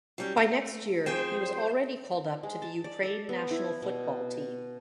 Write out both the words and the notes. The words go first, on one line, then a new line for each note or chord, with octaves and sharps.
By next year he was already called up to the Ukraine national football team.
F#3 G3 C#4
A3
F2 G#4 C5 G5
G#3
A5
D5
A4
B3
E4
B2